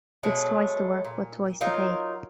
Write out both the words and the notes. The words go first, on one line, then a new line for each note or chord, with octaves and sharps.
It's twice the work but twice the pay.
B2 F#3 G#3 A3
A#2
F#3 D#4 F4 A#4